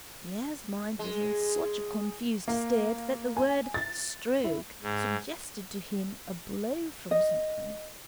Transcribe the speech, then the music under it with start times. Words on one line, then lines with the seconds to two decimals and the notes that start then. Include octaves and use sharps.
Pierre's mind was in such a confused state that the word "stroke" suggested to him a blow from something.
0.99 G#3
2.48 A#3
3.37 G#5
3.74 A6
4.44 E4
4.82 G#2
7.11 D#5